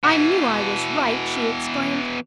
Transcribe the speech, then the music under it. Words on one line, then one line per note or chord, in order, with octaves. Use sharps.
"I knew I was right!" she exclaimed.
B2 E3